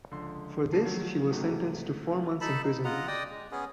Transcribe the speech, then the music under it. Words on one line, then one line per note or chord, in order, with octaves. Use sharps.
For this she was sentenced to four months imprisonment.
C#2 D3 F3 C6
C2 C#3 A3 A5 C7
D#3 F3 F#3 A3
G#2 C3 F#3 A3 D#4 F#4
D#4 A4 A5 B5
D#4
F4 D#5 F#5 A#5
D5 D#5 G5 D#6
G#3
B3 C#4 G#4